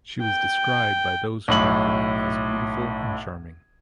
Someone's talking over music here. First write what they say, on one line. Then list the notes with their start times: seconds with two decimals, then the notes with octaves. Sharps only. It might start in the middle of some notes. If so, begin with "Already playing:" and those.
She was described by those who met her as beautiful and charming.
0.22 G5
1.48 B1 A2 F#7